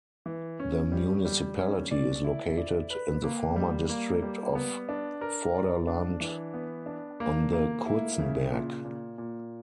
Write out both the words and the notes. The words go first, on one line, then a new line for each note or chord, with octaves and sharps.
The municipality is located in the former District of Vorderland on the Kurzenberg.
E3
C#4
G3
G3
C#4
D5
E4
D5
B4
A#3
G3
A#3
G3
B3
D4
A#4
D5
D4
E3
B3
D4
A#3
A#3
E4
C#3
A#2
A#2
A#2